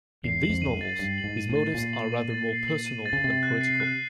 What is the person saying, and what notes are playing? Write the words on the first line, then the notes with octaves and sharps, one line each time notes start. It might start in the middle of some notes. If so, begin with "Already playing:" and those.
In these novels, his motives are rather more personal than political.
E2 C7
F#7
F2
D#7
F2
F#2
A6
G2 C7
F#7
G#2
D#7
A2
A6
A#2 C7
F#7
D#7
A6
C7
F#7
D#7
A6
C#3
C3 A6
F#6
C7
F#6